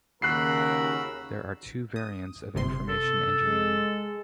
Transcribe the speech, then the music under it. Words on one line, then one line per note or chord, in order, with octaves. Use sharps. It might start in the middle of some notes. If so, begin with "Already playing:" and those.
There are two variants of information engineering.
D#2 C#3 F#4 A#4 B5 E6 F#6 C7
D#6
G1 C3 C6
A4
G#3